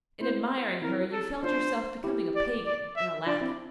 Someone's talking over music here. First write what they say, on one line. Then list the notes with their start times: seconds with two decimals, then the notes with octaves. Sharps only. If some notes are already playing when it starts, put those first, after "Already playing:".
In admiring her you felt yourself becoming a pagan and a lackey.
0.21 C4 E4 C5
0.52 C5
0.82 C4 E4 A#4
1.12 A4
1.43 D4 F4 C5
2.04 E4 G4
2.35 D5
2.66 D5
2.97 E5
3.27 D4 F4 D5
3.41 C4 E4